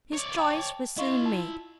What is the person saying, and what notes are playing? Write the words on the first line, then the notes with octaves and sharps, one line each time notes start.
His choice was soon made.
C#5 D5
G5 A5
E4 D#5 F5 C6 C#6
F4 A5